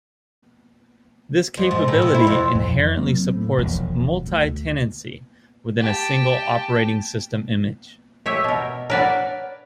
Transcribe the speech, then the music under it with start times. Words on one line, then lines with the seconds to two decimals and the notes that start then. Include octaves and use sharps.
This capability inherently supports multi-tenancy within a single operating system image.
1.57 F2
1.71 G#2
1.88 A2
2.02 C3
2.14 E4
2.27 F2
2.55 F2
2.97 F#3 A#3 C4
3.28 A2 C3
3.58 E1 A#1 G2
4.27 D2
5.80 G4 A5
8.26 G4 C#5 D#5 E5
8.44 B2 A#4
8.90 A#4 B4 C#5 D5 F#5